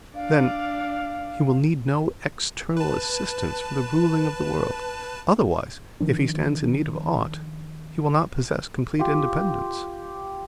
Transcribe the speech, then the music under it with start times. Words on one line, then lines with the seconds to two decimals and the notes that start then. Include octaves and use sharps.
'Then, He will need no external assistance for the ruling of the world. Otherwise, if He stands in need of aught, He will not possess complete independence.'
0.15 D4 D5 F5
2.77 B4 A5
6.00 D#3 F3 D4
8.99 F4 G4